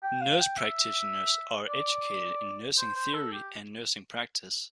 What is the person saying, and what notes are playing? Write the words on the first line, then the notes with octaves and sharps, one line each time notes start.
Nurse practitioners are educated in nursing theory and nursing practice.
G5
F5
G5
E5
D5
C5
C5
A4
G4